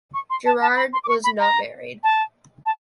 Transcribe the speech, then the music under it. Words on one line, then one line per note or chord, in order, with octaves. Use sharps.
Gerard was not married.
C#6
C6
A5
A5
B5
C6
D6
C#6
B5
A#5
A5
A5